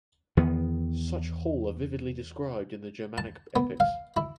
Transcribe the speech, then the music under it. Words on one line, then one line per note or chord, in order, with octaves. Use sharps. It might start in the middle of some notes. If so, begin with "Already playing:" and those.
Such hall are vividly described in the Germanic epics.
E2 D#3 B3
A5
B3
F5
E4